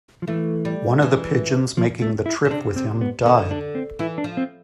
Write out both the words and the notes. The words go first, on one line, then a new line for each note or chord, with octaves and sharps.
One of the pigeons making the trip with him died.
F3
E3 A3
G3
E3
F3
A3
E4
D3
C3 D4
C4
B3
D3 B3
D4
C4
E3 E4
D4
F3
C4